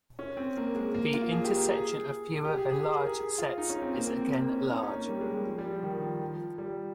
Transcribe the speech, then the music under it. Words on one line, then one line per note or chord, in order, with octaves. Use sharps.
The intersection of fewer than large sets is again large.
C#4
C4
A#3
G#3
A#3
F4
G#4
G4
A#4
G#4
G4
G#4
G#4
G#4
A#4
G#4
G#4
F4
D#4
C#4
C4
A#3
C4
C4
A#3
C#4
D#4
C#4
A#3
G3
G#3
G3
F3
G3
F3
D#3
F3
F3
G3